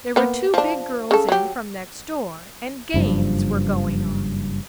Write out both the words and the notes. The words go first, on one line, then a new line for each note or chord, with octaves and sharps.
There were two big girls in from next door and games were going on.
A#3 B3
F3 D4
C#3 A4
F#3 G4
F#1 G2 F3